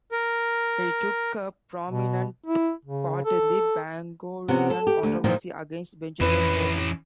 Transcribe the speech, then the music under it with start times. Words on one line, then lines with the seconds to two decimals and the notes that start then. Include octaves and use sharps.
He took a prominent part in the Bangorian controversy against Benjamin Hoadly.
0.12 A#4
1.90 B2
2.46 E4
2.85 C#3
3.25 A4
4.48 C3 B3 C#4 F#4
4.70 A4
4.87 G4
5.03 D2
5.24 F#2 A#2 D#3 F3 D#4 F4
6.21 F2 E3 C#4 B4